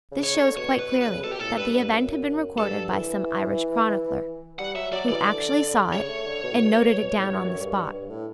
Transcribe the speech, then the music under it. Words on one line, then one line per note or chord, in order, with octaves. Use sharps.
This shows quite clearly that the event had been recorded by some Irish chronicler, who actually saw it and noted it down on the spot.
C#3
C#5
D3
B2 C#5
B4
B4
D3
C#3
B2 A4
G4
A2 A4
G2 B4
G2
F#2
G2 A4
E3
G3 F#5
F#3 E5
F#3 D5
E3 D5
D3
C#3 C#5
A3
D3
B2
A2
B2
A2
G2
F#2
G2
G2
G2
A2